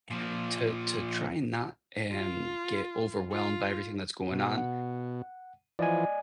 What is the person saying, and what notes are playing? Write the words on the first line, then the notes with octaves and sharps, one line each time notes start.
And to to try not and get overwhelmed by everything that's going on,
A#2 F3
F4
F4
B2
F#5
E3 F3 D5 D#5 G#5